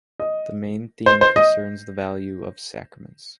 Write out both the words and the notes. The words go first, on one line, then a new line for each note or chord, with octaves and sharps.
The main theme concerns the value of sacraments.
D#5
C5
C5
D#5